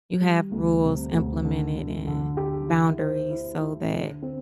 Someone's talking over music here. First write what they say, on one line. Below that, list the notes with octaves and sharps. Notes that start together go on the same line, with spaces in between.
you have rules implemented and boundaries so that
G3
D2
C3
D2
D3
D3
D3
G4
E4
C5
E4
E4
D3
C4